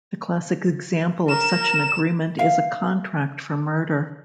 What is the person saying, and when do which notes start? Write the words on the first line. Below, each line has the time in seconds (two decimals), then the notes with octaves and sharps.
The classic example of such an agreement is a contract for murder.
1.29 A#4 A#5 E7
2.39 E5 F5